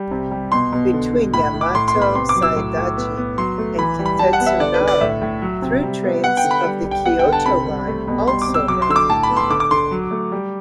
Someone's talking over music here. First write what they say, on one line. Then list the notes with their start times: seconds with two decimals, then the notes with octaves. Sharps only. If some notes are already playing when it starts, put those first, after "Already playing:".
Between Yamato-Saidaiji and Kintetsu Nara, through trains of the Kyoto Line also run.
Already playing: G3
0.11 C3
0.31 G3
0.52 B2 C6
0.72 B2
0.93 D3
1.13 D3
1.33 A2 B5
1.54 A2
1.61 D6
1.74 A2 C6
1.88 C6
1.95 B3
2.02 B5
2.15 C3 C6
2.29 D6
2.36 F#3
2.42 E6
2.56 A2
2.77 A2
2.97 B3
3.17 B3
3.38 F#3 C6
3.58 A3
3.79 E3 B5
3.99 G3
4.06 B5
4.19 G3 A5
4.33 F#5
4.40 B3
4.46 E5
4.60 D3 D5
4.74 B4
4.81 D3
4.88 D5
5.01 A2 E5
5.22 A2
5.42 F#3
5.62 C3
5.83 G3
6.03 B3
6.24 B3 F#5
6.37 G5
6.44 D3
6.51 B5
6.64 G3
6.85 G3
6.91 G5
7.05 B3 F#5
7.19 G5
7.25 D3
7.32 A5
7.46 C3 B5
7.66 G3
7.87 A3
8.07 B2
8.27 G3 C6
8.41 D6
8.48 C3
8.54 E6
8.68 F#3 D6
8.82 C6
8.89 D3 E6
8.96 D6
9.09 A2 A5
9.23 B5
9.29 B3
9.37 C6
9.50 D3 D6
9.60 D6
9.71 D3 C6
9.91 F#3
10.11 A3
10.32 G3